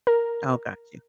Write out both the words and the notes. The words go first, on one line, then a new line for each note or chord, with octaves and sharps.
Oh, got you.
A#4